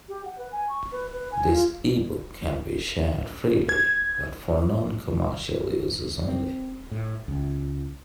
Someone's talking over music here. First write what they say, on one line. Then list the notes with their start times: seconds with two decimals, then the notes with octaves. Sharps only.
This e-book can be shared freely but for non-commercial uses only.
0.09 G4
0.25 F#5
0.38 B4
0.52 G#5
0.69 C#6
0.92 B4
1.13 B4
1.32 G#5
1.53 F4
3.69 G#6
6.28 C4
6.91 A2
7.28 C#2